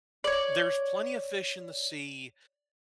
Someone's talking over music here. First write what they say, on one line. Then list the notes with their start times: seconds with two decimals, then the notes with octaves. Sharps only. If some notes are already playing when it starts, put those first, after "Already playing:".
There's plenty of fish in the sea,
0.24 C#5 D5